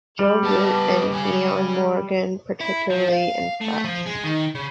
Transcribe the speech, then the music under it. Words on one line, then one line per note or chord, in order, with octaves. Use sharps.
Joe Root and Eoin Morgan particularly impressed.
G3
B3 A5
C#3 G#5
E4
F3
F5
A3
F3
G#3
D#3
C#3